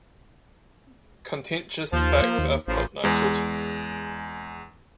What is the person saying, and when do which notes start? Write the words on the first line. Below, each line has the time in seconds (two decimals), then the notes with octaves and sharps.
Contentious facts are footnoted.
1.93 D#2 F3
2.22 A#3
2.39 D#2
2.68 A1 F#2 C#3 F3
3.04 E2 G#3